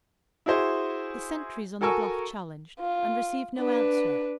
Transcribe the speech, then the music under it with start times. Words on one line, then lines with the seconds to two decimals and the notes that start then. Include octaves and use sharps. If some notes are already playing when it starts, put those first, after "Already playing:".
The sentries on the bluff challenged, and received no answer.
0.46 E4 F#4 G#4 C5 F#5
1.81 F#4 A4 A#4 G#5 C#6 E6
2.80 F4
3.58 D4 B4